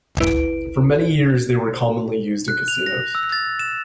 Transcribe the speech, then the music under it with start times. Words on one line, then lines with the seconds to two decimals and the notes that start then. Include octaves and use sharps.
For many years, they were commonly used in casinos.
0.20 G#1 D2 E4 B4 D7
2.48 F#6
2.68 F7
2.86 A#6
3.15 E6
3.32 A6
3.59 E7